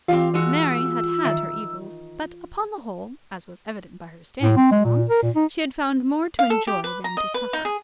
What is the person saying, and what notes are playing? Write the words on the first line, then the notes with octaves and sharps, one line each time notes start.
Mary had had her evils; but upon the whole, as was evident by her staying so long, she had found more to enjoy than to suffer.
E3 C4 F4 G4 F5
E3 G#3 F#4 E6
D#3 E5
A2
C4
G#3
A#2
A#4
A#2
D#4
F5
A4
G4
B4
A#5
D#5
B4
D#4
G#4